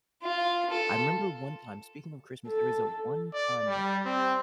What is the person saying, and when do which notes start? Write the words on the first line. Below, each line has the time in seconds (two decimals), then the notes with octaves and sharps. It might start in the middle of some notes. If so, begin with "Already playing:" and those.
I remember one time speaking of Christmas, there was a one time where
0.23 F4 F5
0.70 A4
2.48 A4
3.34 D5
3.68 G3
4.05 C4